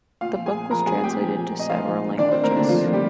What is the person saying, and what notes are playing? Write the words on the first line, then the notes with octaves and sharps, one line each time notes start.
The book was translated to several languages.
A#2 F4 F5
F3
G#4 G#5
A#2
F3 A#4 A#5
F3 G#4 G#5
A#2 G4 G5
F3
F3
A#2
D#5
F3 F4 F5
A#2
A#2
D#3 D4 D5
D#3 C4 C5
A#3 A#4
D3 D#3 D4
D#3 F3 F4
D#3
G3 G4